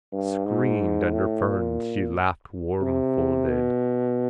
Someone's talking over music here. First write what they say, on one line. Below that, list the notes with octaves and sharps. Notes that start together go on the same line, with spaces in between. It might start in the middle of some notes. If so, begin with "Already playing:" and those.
Screened under ferns she laughed warmfolded.
G2
G#2
A2
A#2
C3
B2